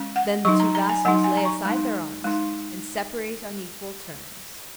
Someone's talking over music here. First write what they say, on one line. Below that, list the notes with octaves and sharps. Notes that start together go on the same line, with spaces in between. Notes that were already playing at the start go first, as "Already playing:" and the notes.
Then the two vassals lay aside their arms and separate on equal terms.
Already playing: G#3 C#4
F#5
F#3 D#4 C#6
A#5
A#5
G#5
F#3 D#4 F#5
G#5
A#5
C#6
G#3 D#4
G#3 D#4